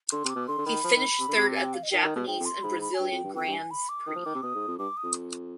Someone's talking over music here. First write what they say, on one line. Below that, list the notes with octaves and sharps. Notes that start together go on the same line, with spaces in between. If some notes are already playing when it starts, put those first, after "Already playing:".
He finished third at the Japanese and Brazilian Grands Prix.
D3 C6
C3
D6
B2
D3 C6
D3
D#3 B5
F3
D#3
C3
D3
C3
G#5
G5
F5
D#5
D#3 G5
D#3
B2
G#2 G5
F2
C6
G#2 B5
B5
G#5
G2 G5
F2
G2
F2 G5
G2
G#5
B5
D6
D#3 D#6
F3
D#3 D6
C3
B2 D#6
G#2
F2
G2 D6
D#6
F2